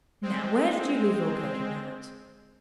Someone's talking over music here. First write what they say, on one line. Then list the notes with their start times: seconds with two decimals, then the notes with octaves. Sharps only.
Now where did you leave your coat and hat?
0.22 G#3 C4